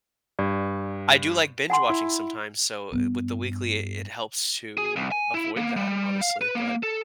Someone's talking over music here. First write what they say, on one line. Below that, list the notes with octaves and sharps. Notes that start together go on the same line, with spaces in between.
I do like binge watching sometimes, so with the weekly, it it helps to avoid that, honestly. But,
G2 D5
F#5 G#5 C6
E4
G2 B3
G#4
C2
G#5
E4
A#3
G3
F5
B4
A#3
A4